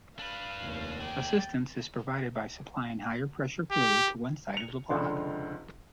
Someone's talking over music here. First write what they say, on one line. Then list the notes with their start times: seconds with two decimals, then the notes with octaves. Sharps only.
Assistance is provided by supplying higher-pressure fluid to one side of the block.
0.19 D4 B4 F5
0.58 F1 D#2
1.01 G#4 D5 G5
3.71 G4
4.53 C#7 F7
4.89 F1 C#2 D3 D4 C6